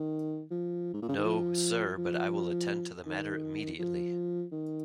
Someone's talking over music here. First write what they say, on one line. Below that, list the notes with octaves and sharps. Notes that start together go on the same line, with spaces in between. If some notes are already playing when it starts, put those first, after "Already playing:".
No, sir, but I will attend to the matter immediately.
Already playing: D#3
F3
G#2
A#2
C#3
D#3
F3
F3
D#3
F3
D#3